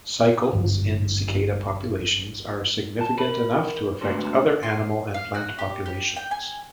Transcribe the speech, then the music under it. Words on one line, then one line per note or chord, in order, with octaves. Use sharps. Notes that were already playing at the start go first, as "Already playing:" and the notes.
Cycles in cicada populations are significant enough to affect other animal and plant populations.
G#1 C#2 G2 D3
A5
A#4 B5
C#2 A3 B3 D4 F#4 C5
C6
F5
F#4
G4
G4
G5
G#5